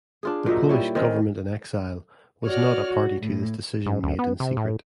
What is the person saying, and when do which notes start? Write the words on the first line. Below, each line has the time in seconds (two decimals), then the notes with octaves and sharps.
The Polish government-in-exile was not a party to this decision made in secret.
0.23 D4 F4 G#4
0.46 A#2 F#3 D#4 E5
0.69 G3 E4 C#5
0.95 D#3 C4 C#4
2.46 F#4 C#5 D5 F6
2.88 F#4
3.21 A2
3.86 G#2
4.04 D2
4.19 B3
4.40 C3
4.57 A2